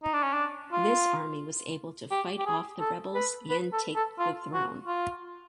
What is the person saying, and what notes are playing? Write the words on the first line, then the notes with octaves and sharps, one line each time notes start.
This army was able to fight off the rebels and take the throne.
D#4
D4
C#4
D4
F4
G4
G4
G#4
A4
B4
B4
A4
A4
F4
F#4
F4